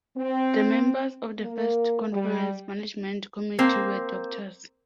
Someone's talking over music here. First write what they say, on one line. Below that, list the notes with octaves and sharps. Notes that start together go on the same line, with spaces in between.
The members of the first conference management committee were Drs.
C4
A#3
G3
A#3 C4